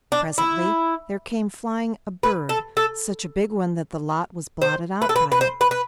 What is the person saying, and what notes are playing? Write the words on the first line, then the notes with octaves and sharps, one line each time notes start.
Presently there came flying a bird--such a big one that the light was blotted out by it.
D4
E4
B4
A4
A4
C5
B4
A4
B4
B4
C5
B4
B4